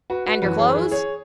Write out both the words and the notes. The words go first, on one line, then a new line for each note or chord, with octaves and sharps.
"And your clothes?"
F#4 B4
F#4 B4
F#2 E3 F#4 B4
G#4 C#5
B4
E4 G#4
G#4 C#5